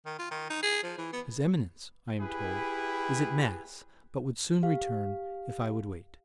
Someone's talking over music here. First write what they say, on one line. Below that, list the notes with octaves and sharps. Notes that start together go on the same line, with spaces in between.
"His Eminence," I am told, "is at Mass, but would soon return, if I would wait."
D#3
F4
D#3
D#4
G#4
F3
E3
B3
E4 G4 G#4 B4
G4 F5